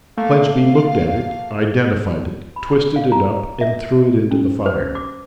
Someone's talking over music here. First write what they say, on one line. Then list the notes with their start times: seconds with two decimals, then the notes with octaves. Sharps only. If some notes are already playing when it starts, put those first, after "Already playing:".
Fledgeby looked at it, identified it, twisted it up, and threw it into the fire.
0.17 A3 A#3 F5
2.56 B5
2.96 F5
3.12 A#5
3.61 E5
4.31 C#4
4.66 C5
4.95 D6